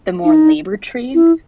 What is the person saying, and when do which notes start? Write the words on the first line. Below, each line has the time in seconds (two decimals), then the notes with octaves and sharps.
the more labor trades,
0.24 D#4
1.14 E4